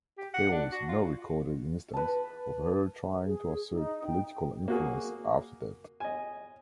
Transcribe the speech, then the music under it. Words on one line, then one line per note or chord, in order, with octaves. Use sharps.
There was no recorded instance of her trying to assert political influence after that.
G4
F#5
D4
F#4
F4
B4 A5
G#4
D#4
G5
A#3 F#4 G#4
D#5 G#5